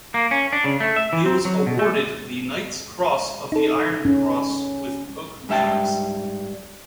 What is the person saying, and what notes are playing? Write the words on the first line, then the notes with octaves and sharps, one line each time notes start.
He was awarded the Knight's Cross of the Iron Cross with Oak Leaves.
A#3
C#4
D4
C#3
A3
E5
E3
C4
F#3
B2
A3
D#4 A4
C#4
G#2 G3 E5 G5 A5